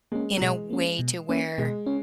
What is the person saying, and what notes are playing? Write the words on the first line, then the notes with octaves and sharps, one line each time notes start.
in a way to where
G#3 A#3 C#4
F#3
B2 G#3
A#3 C#4
B2
A#3 C#4
B2 G#3
C#4